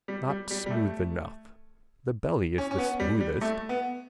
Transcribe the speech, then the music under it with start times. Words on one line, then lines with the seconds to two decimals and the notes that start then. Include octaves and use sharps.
Not smooth enough. The belly is the smoothest.
0.08 G3
0.29 G3
0.51 G3
0.66 G3
0.70 A3
2.58 C#4
2.71 C#4
2.78 B3
3.00 G3
3.20 G3
3.41 A3
3.69 B3